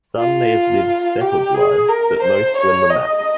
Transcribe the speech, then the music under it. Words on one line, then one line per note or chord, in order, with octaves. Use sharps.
Some may have lived settled lives, but most were nomadic.
F4
G4
G#4
A#4
C5
C#5
D#5